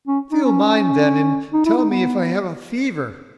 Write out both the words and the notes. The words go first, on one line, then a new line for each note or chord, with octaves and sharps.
"Feel mine then and tell me if I have a fever."
C#4
D#4
C#4
D#4
E4
D#4
B3